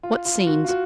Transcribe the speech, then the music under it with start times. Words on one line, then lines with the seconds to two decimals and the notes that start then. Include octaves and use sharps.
What scenes!
0.03 F4
0.25 F4
0.47 F#4
0.65 F4
0.69 F#4